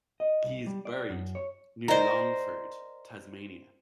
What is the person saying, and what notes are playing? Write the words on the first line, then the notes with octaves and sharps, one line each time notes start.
He is buried near Longford, Tasmania.
D#5
C2
G3
D5
F#2
C#5
A#4 C5 D5 D#5 A#5